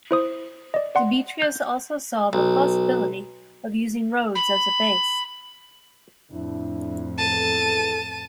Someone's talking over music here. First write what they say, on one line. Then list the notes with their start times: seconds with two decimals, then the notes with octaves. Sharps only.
Demetrius also saw the possibility of using Rhodes as a base.
0.11 E4 C5 D#6
0.74 D5 D#5
0.95 D5 F#5 C6
1.42 G6
2.33 B1
4.35 B5
6.31 F2 A2 D4 E4
7.18 E2 A4 A5 D#7